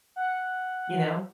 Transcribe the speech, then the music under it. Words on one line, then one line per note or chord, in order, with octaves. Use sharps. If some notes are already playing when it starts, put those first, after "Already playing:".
You know?
F#5